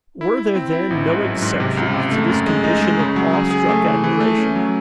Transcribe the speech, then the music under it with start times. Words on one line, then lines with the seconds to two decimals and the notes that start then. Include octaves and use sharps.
Were there, then, no exceptions to this condition of awestruck admiration?
0.21 E4
0.37 E4
0.55 C4
0.73 E4
0.90 A1
1.08 G#2
1.25 F#3
1.42 G#2
1.60 C3
1.77 C#2
1.94 C3
2.11 A3
2.29 F#2
2.46 G#3
2.64 D#4
2.81 G#3
2.99 C#3
3.16 F#3
3.33 G#4
3.51 G#4
3.69 A3
3.86 E3
4.04 E3
4.20 A3
4.38 C#4
4.56 F#3